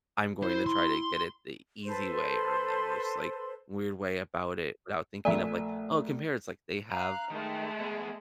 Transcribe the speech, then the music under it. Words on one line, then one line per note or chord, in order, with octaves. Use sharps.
I'm going to try to get it the easy way, or the most, like, weird way about it without thinking of, like, oh, compare" it's like, they have
E4 C5
C6
A4 B4 C5 C6
A#1 A3 D5 E5 G#5
F5 A#5 F#6
D#3 G#3 A3
B3 G#4